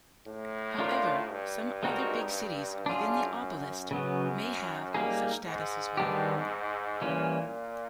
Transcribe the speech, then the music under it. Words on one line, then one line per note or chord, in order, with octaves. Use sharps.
However, some other big cities within the oblast may have such status as well.
A2
D4 F4 A#4
G2
G#3 C4 D#4 F#4 A#4
F#2 D4 F4 G#4
F#2 C#3 F#3 B3
G3 A#3 D#4 G#4
G#2
D#3 G3 B3 D4 G4
A#2 E3 G3 A#3 C#4